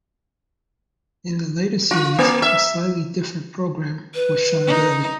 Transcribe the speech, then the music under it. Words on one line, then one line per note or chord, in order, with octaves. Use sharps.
In the later series, a slightly different programme was shown daily.
F4
A#3
E5
B4
D#4